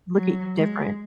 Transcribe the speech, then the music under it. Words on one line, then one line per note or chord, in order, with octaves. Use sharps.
look at y different.
F#3
G#3